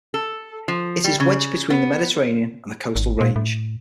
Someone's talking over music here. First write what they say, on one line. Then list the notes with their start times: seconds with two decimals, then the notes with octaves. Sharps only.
It is wedged between the Mediterranean and the coastal range.
0.14 A4
0.68 F3
1.04 G3
1.20 C#3
1.70 B3
2.96 G#1
3.21 A#2
3.36 A2